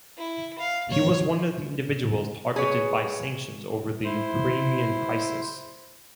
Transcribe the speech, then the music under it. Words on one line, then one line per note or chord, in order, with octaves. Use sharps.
He was one of the individuals targeted by sanctions over the Ukrainian crisis.
E4
F5
C#5
G#4 B4 C#5
E4 C5